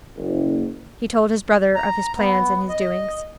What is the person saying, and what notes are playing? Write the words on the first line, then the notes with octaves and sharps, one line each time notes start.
He told his brother of his plans and his doings.
F#1
A#5
B3
D#5